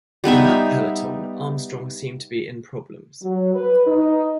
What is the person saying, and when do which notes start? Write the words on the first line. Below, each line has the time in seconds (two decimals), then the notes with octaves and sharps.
In that peloton, Armstrong seemed to be in problems.
0.24 G3 B3 D#4 E5
3.23 F#3
3.54 B4
3.87 D#4